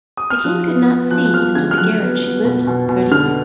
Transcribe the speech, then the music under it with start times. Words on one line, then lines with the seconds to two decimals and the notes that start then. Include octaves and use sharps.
The king could not see into the garret she lived in, could he?
0.17 D#6
0.30 F6
0.44 F3 F#6
0.67 B3
0.89 B3
1.11 F3 F#6
1.25 F#6
1.33 F3 F6
1.55 D3 G#6
1.71 F6
1.78 F#3 F#6
2.01 B3
2.23 B3
2.45 B2
2.67 B2
2.89 B2
3.12 D3 F6